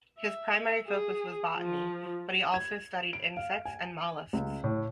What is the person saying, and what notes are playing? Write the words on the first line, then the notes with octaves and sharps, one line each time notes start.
His primary focus was botany but he also studied insects and molluscs.
E5
G#4
F3
G#6
D7
F5
G#5
C#2
A2